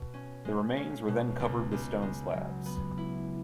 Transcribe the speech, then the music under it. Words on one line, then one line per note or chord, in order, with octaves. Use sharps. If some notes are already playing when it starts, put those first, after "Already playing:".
The remains were then covered with stone slabs.
Already playing: B2
C#4
G#3
C#4
B2
C#2
C#2
G#3
F#3
B3
E4